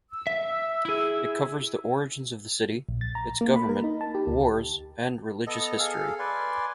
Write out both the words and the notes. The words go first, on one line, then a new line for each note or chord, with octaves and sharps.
It covers the origins of the city, its government, wars and religious history.
E6
E5
E4 G#4
A#1
A6
A#5
A#3
B5
A#4
D#4
A5
G4
D2
B3 A4 D#5
G#4 A4 F5
B4 D5 G#5 C6